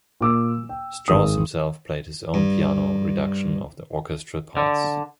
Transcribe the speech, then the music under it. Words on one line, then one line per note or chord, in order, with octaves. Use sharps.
Strauss himself played his own piano reduction of the orchestral parts.
A#2 D6 E6
G5
G#1 G#4 D#6
G2
D3